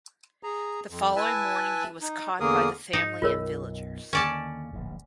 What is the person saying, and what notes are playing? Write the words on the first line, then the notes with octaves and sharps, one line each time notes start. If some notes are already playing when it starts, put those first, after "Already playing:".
The following morning he was caught by the family and villagers.
G#4 A#5
F2
E4 B4 E5 G#5 A5
D#4
E2 D3 A#3 G#4 A#4 D#6
G#2 D#4
B1 F#2 B2 F4 A#4 C#5
D#2 D3 C#4 D5 A5
D1 A#1 G#2